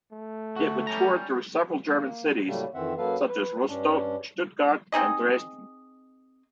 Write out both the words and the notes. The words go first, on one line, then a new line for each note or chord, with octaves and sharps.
It would tour through several German cities, such as Rostock, Stuttgart, and Dresden.
A3
D2 F#4
G3 C#4 A#5
A#3
A2 C#3 F#3 G3 A3 A#3
F2 D#3 E3 C4 E5 F#5
F#2 F#3 A#3 A4 B4 F5
B4
G2 C#4 D4
C4 D#4 G#4 D#5